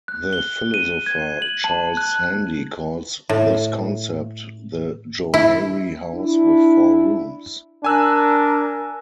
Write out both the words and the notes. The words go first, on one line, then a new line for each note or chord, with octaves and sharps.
The philosopher Charles Handy calls this concept the Johari House with four rooms.
F#6
G7
D#7
G#6
F#7
A5
F#6
A2
E4
D4 E4
D4 A#4 G#5 E6 F#6